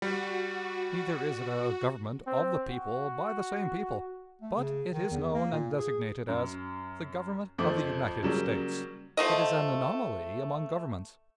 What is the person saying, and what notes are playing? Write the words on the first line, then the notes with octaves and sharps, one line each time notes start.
Neither is it a "government of the people by the same people"; but it is known and designated as "the Government of the United States." It is an anomaly among governments.
G3 F#4
C4
F#4
A3
C#3
D#3
E2
A#3
A#2
G#4
F#2
F2 F3 A3 A5 D6
C#3 F#3 G3 A#3
F3 A3 D#5